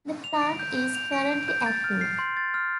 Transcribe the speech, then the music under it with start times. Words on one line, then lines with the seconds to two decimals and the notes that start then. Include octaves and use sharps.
The plant is currently active.
0.24 F7
0.42 D7
0.59 G6
0.77 G6
0.95 F7
1.12 D7
1.31 G6
1.48 G6
1.66 A6
1.84 F6
2.01 C7
2.19 C6
2.37 A6
2.54 F6